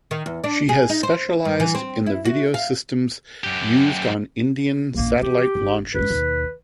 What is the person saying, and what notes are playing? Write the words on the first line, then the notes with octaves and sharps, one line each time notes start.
She has specialised in the video systems used on Indian satellite launches.
D#3
E2
D4
G#4
D#4
C5
G2
E3
C4
E4
F#4
F5
F#2 G4
A#1 F#2 A#3
E3 G4
G1
F#2 G#3 B4
D#2 B2